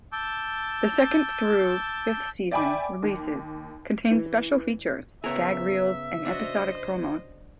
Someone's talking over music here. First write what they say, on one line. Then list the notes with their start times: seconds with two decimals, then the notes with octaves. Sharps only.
The second through fifth season releases contain special features, gag reels and episodic promos.
0.12 A5 D6 E6 G6
2.51 D5 E5 G5 G#5 B5 D6
3.03 D#2
4.11 E3
5.24 C#3 B3 G#4 A#4 C#5 E5
6.26 D4 F#4 C5 D#5